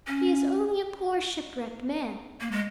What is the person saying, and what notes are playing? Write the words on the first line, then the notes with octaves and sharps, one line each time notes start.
He is only a poor shipwrecked man.
C#4
A#3
G#3